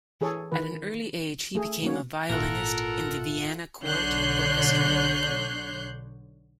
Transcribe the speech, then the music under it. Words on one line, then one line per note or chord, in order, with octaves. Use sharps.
At an early age he became a violinist in the Vienna court orchestra.
E3 G#4 A4 C#5
D#3 E3 B4
A3 G#4
D#3 F#3 A#3 C#4 C#5
G#1 A#2 E4 F4 A4 A#4 F#5
B1 D3 C#5 F#6 G6 C7